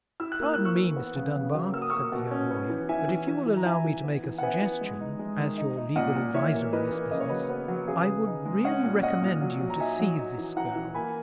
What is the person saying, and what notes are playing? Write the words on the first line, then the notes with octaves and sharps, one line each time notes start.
"Pardon me, Mr. Dunbar," said the young lawyer; "but if you will allow me to make a suggestion, as your legal adviser in this business, I would really recommend you to see this girl."
E4 E6
F#6
A#3 E6
E4 F#6
C#6 E6
E3
B3
C#3
C#3
F#3
A#3 E6
D#6
A#3 C#6 E6
B2
C#4
B3
E3
E3 E5 G#5
E3
E3
E3
A#5
E3 E5 G#5
E3
B3
E3
F#5
B3 E5 G#5
E3
G#3
D#4
G#3
D#3
D#4
D#4
A#2 D#5 F#5
A#2
E3 C#5 E5
A#3
E3 B4 D#5
A#3
C#3 D#5
C#5
F#3 B4 D#5
B3
F#3
C#3 G#4 B4
C#3
D#4
G#3
C#4 D#5 F#5
A#2
C#4 D#5 F#5
A#2
F#3
F#3
A#5
D#4 E5 G#5
F#3
D#4
E3
E3 F#5 A#5
E3
A#3 G#5 B5